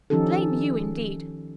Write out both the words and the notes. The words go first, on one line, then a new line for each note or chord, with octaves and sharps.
Blame you, indeed!
D#3 F3 C#4 D#4 G4 A4